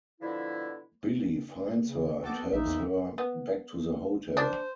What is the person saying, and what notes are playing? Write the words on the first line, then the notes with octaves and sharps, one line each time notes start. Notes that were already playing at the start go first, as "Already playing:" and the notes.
Billy finds her and helps her back to the hotel.
B2 D3 F3 E4
C#3
B3 F#4 A4 G5 A5 D6
A#1 D#2 D#4 E5
E2
B3
D4 C5